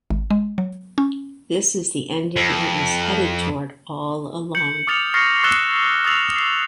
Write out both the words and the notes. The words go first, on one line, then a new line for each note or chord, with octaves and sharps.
This is the ending it was headed toward all along.
G#1
G#3
F#3
C#4
F2
G6 C#7 F#7
D6 D#6 F6 A6 C#7 F7
C#6 F6 A6 A#6 C7 C#7
C#6 E6 F#6 A6 E7 G7
D#6 E6 A6 F7 F#7
C7